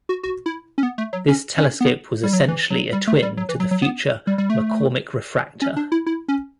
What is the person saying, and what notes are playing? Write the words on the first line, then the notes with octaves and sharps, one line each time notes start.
This telescope was essentially a twin to the future McCormick Refractor.
F#4
F#4
E4
C#4
B3
A3
F#3
C#4
C#4
B3
G3
F#3
E3
F#3
G3
A3
G3
F#3
E3
F#3
F#3
B3
G3
G3
A3
C#4
D4
E4
E4
C#4